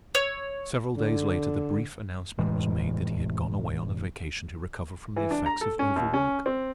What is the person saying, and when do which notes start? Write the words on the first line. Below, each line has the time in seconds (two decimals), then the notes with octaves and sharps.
Several days later the brief announcement was made that he had gone away on a vacation to recover from the effects of overwork.
0.15 C#5 E6
0.97 D3
2.39 F1 A2 E3 G#3
5.16 E3
5.31 D4
5.46 A#5
5.61 A4
5.79 C#4
5.96 D#2
6.14 C#4
6.46 C4